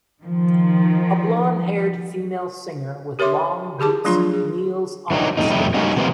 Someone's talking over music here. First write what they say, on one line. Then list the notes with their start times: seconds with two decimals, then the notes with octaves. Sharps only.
A blondhaired female singer with long boots kneels on stage.
0.21 D#3 F3
3.19 G4 A#4 C#5 E5 C6 D6
3.79 D3 G4 G#4 A5 D6
4.05 F3 F#3 A3 D4 F4 C6
4.33 G#4
5.10 E3 F#3 D4 D#4
5.37 F2 A2 C3 D#4
5.50 F2 A2 G3 D#4 E4
5.74 G3 A#3 C#4 D#4 F#4
5.96 C3 E3 F3 A#3 B3 D#4